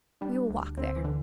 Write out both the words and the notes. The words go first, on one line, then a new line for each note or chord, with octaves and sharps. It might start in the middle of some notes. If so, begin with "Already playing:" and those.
"We will walk there."
G3 D4
D2
D2 C4
E3
D3